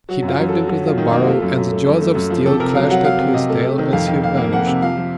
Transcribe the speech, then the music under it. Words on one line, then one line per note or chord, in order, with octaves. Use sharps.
He dived into the burrow, and jaws of steel clashed at his tail as he vanished.
F#3 F#4
F#2
F4
F#2
F#3 A4
F#3 F#4
F#3
F4
D#3
A#3 D#4
F#4
A3 F4
F#2
F#2
A3
F#2
A3
F#2
F3
C3 A4
C3 A#4
F#3 F5
F#3 F#5
F#3 F5
C3
C3 D#5
A3
C3
D#3
F2 F5
D#3
A#3 F5
A#3
F2 F#5
C3
F3 F5
F3